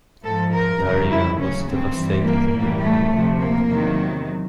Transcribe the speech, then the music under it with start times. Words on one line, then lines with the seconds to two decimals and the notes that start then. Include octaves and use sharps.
The area was devastated during the war.
0.23 G#2 F3 A4
0.52 A#4
0.81 F2 C#3 E3 G3
1.10 E4
1.38 D2 C#3 F#3 C#4
1.67 C4
1.95 G2 E3 G3
2.24 A#3
2.53 A2 E3 G3
2.82 A3
3.10 D2 C3 F3
3.40 A#3
3.68 E2 C3 D#3 F#3